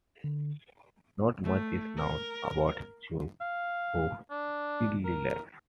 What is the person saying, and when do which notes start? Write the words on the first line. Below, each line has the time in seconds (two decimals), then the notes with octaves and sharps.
Not much is known about Choe Woo's early life.
0.24 D3
1.44 A3
1.97 A#4
3.41 F5
4.30 D4
5.05 A#4